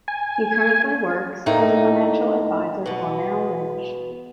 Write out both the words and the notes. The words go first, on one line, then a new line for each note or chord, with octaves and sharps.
He currently works as a financial advisor for Merrill Lynch.
G#5
A2 D3 A3 A#3 D#4
B2 B3